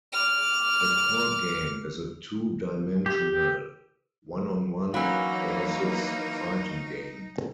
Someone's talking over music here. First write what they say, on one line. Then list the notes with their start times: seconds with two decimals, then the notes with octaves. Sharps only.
The core game is a two-dimensional, one-on-one, versus fighting game.
0.12 D6 F6
3.06 G4
4.94 E3 F#3 A#3 C#4 D#4 F5 B5 E6